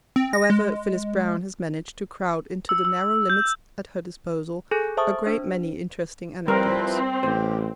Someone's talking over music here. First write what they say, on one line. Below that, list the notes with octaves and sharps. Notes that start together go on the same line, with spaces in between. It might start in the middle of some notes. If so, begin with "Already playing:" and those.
However, Phyllis Browne has managed to crowd into the narrow limits at her disposal a great many interesting anecdotes.
C4
A#6
G#3
E6
E6
G6
G#4 A4 G#5 F#6 G6
C5 E5 A5 C#6 D#6
D4 C5
F3 G3 C4 E4 A#4 B4
A1 G4 C5